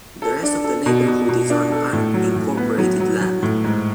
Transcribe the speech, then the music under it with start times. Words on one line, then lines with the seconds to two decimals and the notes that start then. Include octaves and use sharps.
The rest of the neighborhood is on unincorporated land.
0.22 A4
0.43 D4
0.64 A4
0.86 B2
1.07 B2
1.29 B2
1.50 D4
1.72 A4
1.93 A2
2.14 F#3
2.36 A2
2.57 B3
2.78 F#3
3.00 F#3
3.21 F#3
3.43 A2
3.64 G#2